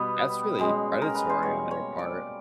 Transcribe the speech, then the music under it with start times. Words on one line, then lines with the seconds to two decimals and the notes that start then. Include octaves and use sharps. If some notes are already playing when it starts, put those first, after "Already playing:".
That's really predatory on their part.
Already playing: B2 G3 B3
0.59 B2 G#3 C#4
1.02 A#4
1.15 B4
1.30 C5
1.42 B2 G3 A#3 C#5
1.71 C#5
1.99 D5